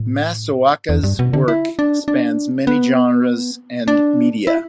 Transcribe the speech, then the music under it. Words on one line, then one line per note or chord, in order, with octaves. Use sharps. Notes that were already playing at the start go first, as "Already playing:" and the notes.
Masaoka's work spans many genres and media.
Already playing: A2
E2
G2
B2
D3
E4
D4
D4
B3
D4
E4